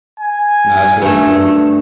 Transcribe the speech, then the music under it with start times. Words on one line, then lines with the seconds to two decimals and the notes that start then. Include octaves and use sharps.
Nah, that's really cool.
0.20 G#5
1.02 G2 A3